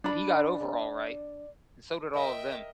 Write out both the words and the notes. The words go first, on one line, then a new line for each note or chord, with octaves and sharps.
But he got over all right; and so did all of them.
D4 D5 B5
A#4 D#5 E5 G5